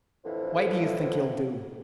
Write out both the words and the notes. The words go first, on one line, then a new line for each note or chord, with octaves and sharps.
"Why do you think he'll do?"
F2 A2 D3 E3 F3